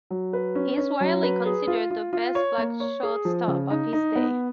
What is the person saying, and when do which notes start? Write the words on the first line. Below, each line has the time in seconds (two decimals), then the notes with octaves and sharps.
He is widely considered the best black shortstop of his day.
0.11 F#3
0.33 B4
0.55 C#4
0.77 C#4
1.00 F#3
1.23 B4
1.45 G#4
1.68 F4
1.91 F4
2.13 F4
2.35 C#5
2.58 A#3
2.80 C#5
3.03 G#4
3.25 F3
3.48 C#3
3.70 D#4
3.93 D#4
4.15 B3